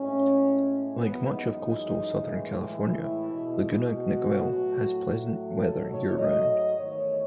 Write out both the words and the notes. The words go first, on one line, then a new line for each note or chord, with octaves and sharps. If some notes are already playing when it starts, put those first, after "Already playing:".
Like much of coastal Southern California, Laguna Niguel has pleasant weather year-round.
Already playing: A2 G#3 C#4
F#2 E3 G#3 B3
D#4
A2 E3 G#3
E4
B2 G#3
F#4
A2 F#3 A3
G#2 F#3 A3 A4
C#5
D#5
E2 D#3 A3 C#5